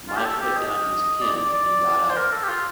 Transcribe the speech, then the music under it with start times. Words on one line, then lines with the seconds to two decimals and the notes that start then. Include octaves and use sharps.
Mike put down his pen, and got up.
0.08 F4
0.16 G4
0.25 A4
0.40 G4
0.57 D#5
1.21 D5
1.36 D5
1.53 D5
2.10 C5
2.17 A#4
2.33 A4
2.43 G4
2.48 F4